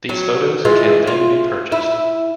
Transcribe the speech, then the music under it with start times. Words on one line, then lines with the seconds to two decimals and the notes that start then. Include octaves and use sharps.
These photos can then be purchased.
0.09 F#3
0.65 E3 G#3 F4
1.07 F4
1.72 E4